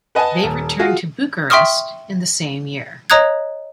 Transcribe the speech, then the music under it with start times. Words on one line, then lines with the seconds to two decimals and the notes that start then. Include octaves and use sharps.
They returned to Bucharest in the same year.
0.15 B4 D#5 F#5 G#5 A5
0.43 D#1 A5
0.79 F4 F#4 G#4
1.50 E5 G5 C6 C#6 D#6 F6
3.10 C#5 D#5 A#5 D#6 F#6 G#6